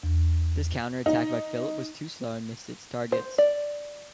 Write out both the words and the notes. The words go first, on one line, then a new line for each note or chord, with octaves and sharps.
This counter attack by Philip was too slow and missed its targets.
E2
D#4
C5
D5